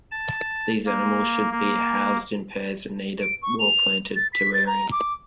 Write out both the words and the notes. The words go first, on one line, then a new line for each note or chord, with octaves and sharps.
These animals should be housed in pairs and need a well planted terrarium.
A5
A#3
A#3
D7
C#6
F7
A6
B6
A6
A#5
D6